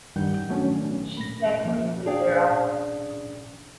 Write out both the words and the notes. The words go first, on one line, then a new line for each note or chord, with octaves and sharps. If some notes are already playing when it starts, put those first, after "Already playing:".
She sank quickly thereafter.
G2 D#3 G3 F#5 G5 G6
D#3 F#3 A3 B3 C#4 D4
B5 A#6
F3 A#3
D4 G#4 D5 F5 G5